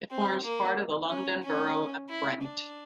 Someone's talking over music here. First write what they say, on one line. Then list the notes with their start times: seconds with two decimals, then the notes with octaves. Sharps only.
It forms part of the London Borough of Brent.
0.11 C4
0.44 A#3
1.10 C#4
1.43 C#4
2.09 E4
2.42 D4